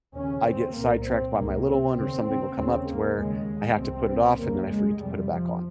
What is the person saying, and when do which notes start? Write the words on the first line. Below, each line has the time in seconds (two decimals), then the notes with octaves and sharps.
I get sidetracked by my little one or something will come up to where I have to put it off, and then I forget to put it back on
0.14 D#2 C#3 C#4
0.45 C4
0.75 C2 A#2 A#3
1.05 C4
1.35 C#2 C3 A#3
1.66 C4
1.96 D#2 C#3 C4
2.27 C4
2.56 D#2 C#3 C4
2.87 A#3
3.17 D#2 C#3 G#3
3.78 C2 C3 C4
4.08 C4
4.38 F2 C#3 A#3
4.69 G#3
4.99 F2 C3 G3
5.29 F3